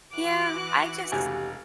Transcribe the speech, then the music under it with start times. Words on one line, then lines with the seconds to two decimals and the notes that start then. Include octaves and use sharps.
Yeah, I just
0.12 E3 F#4 D6 F#6
1.12 F1 C#2 G4 G#5